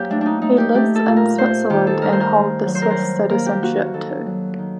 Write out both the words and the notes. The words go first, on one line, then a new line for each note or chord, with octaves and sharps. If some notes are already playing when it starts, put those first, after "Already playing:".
He lives in Switzerland and hold the Swiss citizenship, too.
Already playing: F#2 A#3 G4 C5
A3 D4
D4 D#4
A3 D#4
G4
A3 G4
A4
A#2
A#4
A3 C5
D#3 G4
A4
G2 A#4
C5
A#4
G2
F#3
C5
A#4
C5
G2
A#3 A#4
G4
A#3 F#4
D#3 A4
F#3
D#3